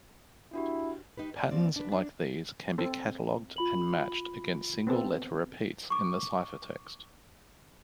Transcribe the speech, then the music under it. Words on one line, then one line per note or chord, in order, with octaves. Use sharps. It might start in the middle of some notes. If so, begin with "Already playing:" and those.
Patterns like these can be cataloged and matched against single-letter repeats in the ciphertext.
D4 E4 F#4 G4
D#4 G4 B4
D5
F#3 A#3 C4 D5
D4 B4
D4
C4 A4
F4 B5 F#7
B3 C4 A4
C#6 D6